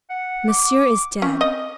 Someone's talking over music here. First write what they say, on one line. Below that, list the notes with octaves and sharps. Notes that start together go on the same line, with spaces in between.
"Monsieur is dead."
F#5
D6
C4 C#4
D#5